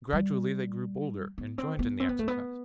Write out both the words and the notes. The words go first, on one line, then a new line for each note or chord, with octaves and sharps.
Gradually they grew bolder, and joined in the exercise.
G3
B3
C4
B3
C4
B3
A3
B3